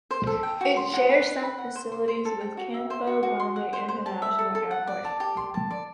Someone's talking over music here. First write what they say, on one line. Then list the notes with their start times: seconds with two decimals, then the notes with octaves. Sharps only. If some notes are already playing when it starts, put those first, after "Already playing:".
It shares some facilities with Campo Grande International Airport.
0.11 C5
0.27 A4
0.43 G5
0.61 F#4
0.76 C6
0.93 F#5
1.10 B4
1.26 B4
1.43 B5
1.58 F#5
1.75 C5
1.92 C5
2.08 C5
2.25 A4
2.41 G5
2.57 F#4
2.74 E5
2.90 C5
3.07 F#4
3.23 F#4
3.40 C6
3.56 F#5
3.73 C5
3.88 C5
4.06 A5
4.22 E5
4.38 A4
4.55 A4
4.71 F#5
4.87 D5
5.04 A5
5.20 G4
5.37 C6
5.54 A5
5.71 D5